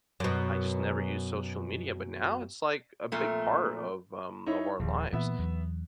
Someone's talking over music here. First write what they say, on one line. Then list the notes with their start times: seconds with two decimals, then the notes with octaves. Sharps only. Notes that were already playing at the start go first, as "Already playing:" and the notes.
I just never used social media, but now it's like a big part of, um, of our lives,
0.20 F#2 B2
3.12 F2 A#2 A3
4.46 D#4 E4 C#5
4.80 D#1 A#1 D#2
5.13 A#2 E3 B3 E5
5.39 E2 F#3